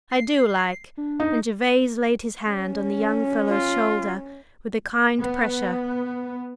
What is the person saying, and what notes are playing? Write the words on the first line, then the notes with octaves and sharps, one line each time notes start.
"I do like!" and Gervase laid his hand on the young fellow's shoulder with a kind pressure.
C7
D4
D#4
C#4
F4
B3